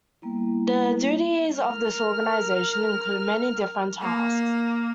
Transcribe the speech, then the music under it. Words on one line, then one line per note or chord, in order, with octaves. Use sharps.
The duties of this organization include many different tasks.
G3 A#3 B3 E4
A#4 F6
A#3